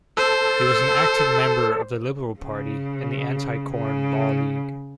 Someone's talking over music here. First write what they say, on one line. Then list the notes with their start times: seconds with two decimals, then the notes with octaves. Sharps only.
He was an active member of the Liberal Party and the Anti-Corn Law League.
0.17 A4 C5
2.39 C#3
3.73 C#3